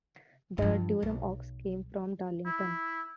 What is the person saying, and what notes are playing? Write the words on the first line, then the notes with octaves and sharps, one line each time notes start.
The Durham Ox came from Darlington.
G2 F3
B1
E4